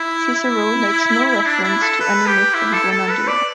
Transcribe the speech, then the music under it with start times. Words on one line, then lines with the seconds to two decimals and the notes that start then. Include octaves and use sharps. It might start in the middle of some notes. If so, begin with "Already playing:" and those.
Cicero makes no reference to any myth of Bona Dea.
Already playing: E4
0.35 E4
1.46 D4
1.64 E4
1.82 A4
2.00 B4
2.27 G4
2.54 E4
2.73 A4
2.91 A4
3.10 B4
3.28 D5